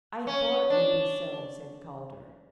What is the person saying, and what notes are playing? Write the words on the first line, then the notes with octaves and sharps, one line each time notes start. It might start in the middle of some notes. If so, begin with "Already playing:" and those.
"I thought it would be so," said Calder.
C#4
D4